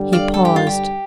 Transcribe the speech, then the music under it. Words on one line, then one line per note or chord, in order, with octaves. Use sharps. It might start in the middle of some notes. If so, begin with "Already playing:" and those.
He paused.
Already playing: G2 D3 G3
D5 F5
A4
G4
F4
G4